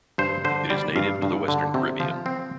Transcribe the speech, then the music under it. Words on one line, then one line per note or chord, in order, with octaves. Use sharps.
It is native to the western Caribbean.
G2 C5
D3 C5
G3 D5
G2 F5
G2
D3
C3
F3
C4